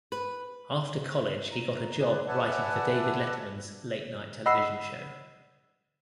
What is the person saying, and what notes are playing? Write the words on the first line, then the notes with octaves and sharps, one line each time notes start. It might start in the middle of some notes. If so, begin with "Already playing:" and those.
After college he got a job writing for David Letterman's late night television show.
B4
A#5
G#3 G#4 B4 D5
B4 D5 E5 F#5 G#5 A5
D#5 F#5 B5 E6 B6 C7